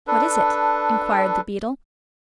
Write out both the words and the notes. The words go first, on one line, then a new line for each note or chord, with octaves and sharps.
'What is it?' inquired the beadle.
D4 A4 B4